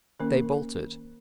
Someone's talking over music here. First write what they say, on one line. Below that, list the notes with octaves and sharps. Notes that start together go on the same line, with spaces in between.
They bolted.
D#3 A#3 C#4 A#4